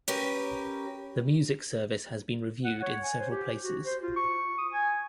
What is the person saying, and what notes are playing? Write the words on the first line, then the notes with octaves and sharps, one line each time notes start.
The music service has been reviewed in several places.
C#4 G4 A#4 B4
F#5
C#5
G#5
C5
G4
F#4
C5
F4
C#6
D#6
G#5